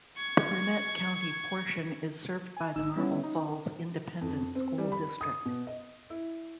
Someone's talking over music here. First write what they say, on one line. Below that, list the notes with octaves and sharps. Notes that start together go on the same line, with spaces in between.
The Burnet County portion is served by the Marble Falls Independent School District.
C#6 G#6
G#5
G#1 D#4 E6
G3 B3 C#4 E4 C#5
D#4
F2
C4
G3
B5
D#6
B2
D#5
E4